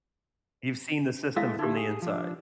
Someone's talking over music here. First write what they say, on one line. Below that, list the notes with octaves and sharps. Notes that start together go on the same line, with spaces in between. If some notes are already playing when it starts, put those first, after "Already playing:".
You've seen the system from the inside.
G#3 A3 B3 E4 F5 E6
D3 D#4 E4 G4
G#4
F3 D4